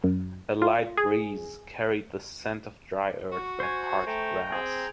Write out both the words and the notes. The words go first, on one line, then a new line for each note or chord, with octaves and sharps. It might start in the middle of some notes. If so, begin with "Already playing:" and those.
A light breeze carried the scent of dry earth and parched grass.
F#2
F4
G#4
F#4 C#6
C5 G#5
A3 G5 A#5
C4 G#4